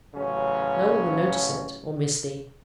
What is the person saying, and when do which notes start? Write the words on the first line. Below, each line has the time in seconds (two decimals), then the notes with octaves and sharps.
No one will notice it, or miss thee--.
0.15 A1 C#3 F#3 C#4